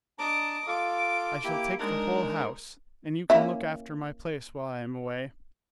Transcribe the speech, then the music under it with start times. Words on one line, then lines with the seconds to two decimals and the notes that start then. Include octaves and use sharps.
"I shall take the whole house, and you can look after my place while I am away."
0.19 D4 D#5 A5 A#5 D6
0.67 F4 A4 F5 D6
1.44 A#3 E4 G4
1.79 G#3 D4 D#4 A#4
3.30 A#3 C#4 E4